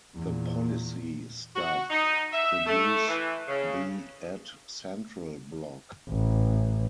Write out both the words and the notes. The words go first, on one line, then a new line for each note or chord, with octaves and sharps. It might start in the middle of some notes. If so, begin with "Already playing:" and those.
The policy staff produce the EdCentral blog.
E2 A#2
F#4
D#4
E5
A3
E3
C#3
A1